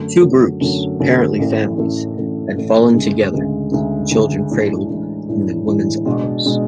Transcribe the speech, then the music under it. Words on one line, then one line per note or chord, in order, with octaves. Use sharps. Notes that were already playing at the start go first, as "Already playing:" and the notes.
Two groups, apparently families, had fallen together, the children cradled in the women's arms.
Already playing: F#2 D3 F#3 A3
F#2 D3 F#3 A3
F#2 D3 F#3 A3
F#2 D3 F#3 A3
A1 A2 E3 A3
A1 A2 E3 A3
A1 A2 E3 A3
A1 A2 E3 A3
D2 C#3 G#3
D2 C#3 G#3
D2 C#3 G#3
D2 C#3 G#3
A2 E3 G#3 D4
A2 E3 G#3 D4
A2 E3 G#3 D4
A2 E3 G#3 D4
B2 G#3 D4
B2 G#3 D4